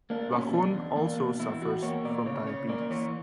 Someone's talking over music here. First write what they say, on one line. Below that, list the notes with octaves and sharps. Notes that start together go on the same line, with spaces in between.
Vachon also suffers from diabetes.
A#3 D4
B2 C#4
E2 D4
E2
A#3 D4
B2
E2 E4
E2 F#4
A#3 C#5
B2 D5
C#3 C#5
C#3 C#5
A#3 D5
E3 C#5